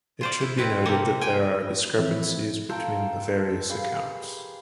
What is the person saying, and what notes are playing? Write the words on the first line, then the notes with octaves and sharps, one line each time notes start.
It should be noted that there are discrepancies between the various accounts.
F4 C5 D5
E4
C4 E4 B4
C3 A#3 C4 G4 A4
G5 G#5
B4
E3 F3 C4 E4 C#5 E5
F4 A4 A#4 G5
G4 G#4 B4 F5